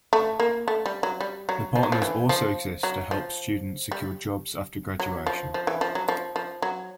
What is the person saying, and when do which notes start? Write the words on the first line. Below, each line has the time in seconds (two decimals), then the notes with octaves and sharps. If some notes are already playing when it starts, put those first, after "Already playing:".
The partners also exist to help students secure jobs after graduation.
0.13 A3
0.40 A#3
0.68 A3
0.86 G3
1.03 F#3
1.21 G3
1.49 F#3
1.75 F3
1.83 F#3
1.92 F3
2.02 E3
2.29 F3
2.83 F#3
3.11 F3
3.92 G3
5.00 F#3
5.27 F3
5.54 F3
5.67 E3
5.81 F3
5.95 F#3
6.08 F3
6.36 F3
6.62 F#3